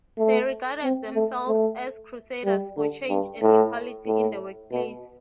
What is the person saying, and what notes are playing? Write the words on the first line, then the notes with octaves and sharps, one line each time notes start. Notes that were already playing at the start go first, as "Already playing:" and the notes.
They regarded themselves as crusaders for change and equality in the workplace.
A3
C4
A3
A3
G3
D3
G2
A2
A2
B2